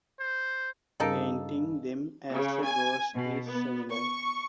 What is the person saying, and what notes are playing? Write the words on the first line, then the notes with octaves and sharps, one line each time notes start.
Painting them as a ghost is similar.
C5
G2 C#3 A#3 D#4 A4 F5
C#3
G#5
B2
B3
C#6